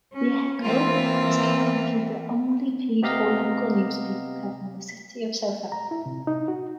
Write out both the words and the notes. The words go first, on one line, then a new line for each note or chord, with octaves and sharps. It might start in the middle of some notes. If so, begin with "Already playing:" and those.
The "Echo" is currently the only paid-for local newspaper covering the city of Southampton.
C#4
E3 A#3 C4 F4
C3 B3 G4 D#5 F5 A#5
A#5
E4
C3
D#4
F#4